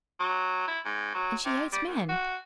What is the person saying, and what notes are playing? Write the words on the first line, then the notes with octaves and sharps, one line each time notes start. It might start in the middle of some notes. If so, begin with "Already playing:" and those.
And she hates men!
F#3
E4
G#2
F#3
C3
G3
D#2
F#4